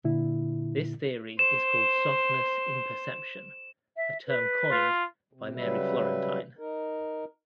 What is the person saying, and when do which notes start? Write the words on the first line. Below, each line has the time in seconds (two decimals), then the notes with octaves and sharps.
This theory is called "softness imperception", a term coined by Mary Florentine.
0.05 A#2 D3 E4
1.39 C5 E7
3.97 E5
4.27 B4
4.71 F4
5.33 C3
5.55 C#3 F#3 G3 B4 E5
6.59 D#4 A#4